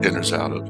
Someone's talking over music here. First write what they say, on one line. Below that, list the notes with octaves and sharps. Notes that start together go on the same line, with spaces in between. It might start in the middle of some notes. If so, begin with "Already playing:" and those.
dinners out of.
Already playing: G#2 E3 A3 C#4